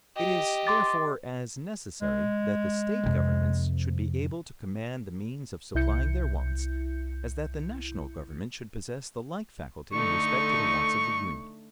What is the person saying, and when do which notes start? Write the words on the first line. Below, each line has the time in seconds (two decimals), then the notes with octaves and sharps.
It is, therefore, as necessary that the State governments should be able to command the means of supplying their wants, as that the national government should possess the like faculty in respect to the wants of the Union.
0.17 G4 D#5
0.67 C6 D6 A6
2.02 G#3
3.04 F2 C3
5.75 C2 E4 G6 C#7
9.92 D3 A3 D#4 C#6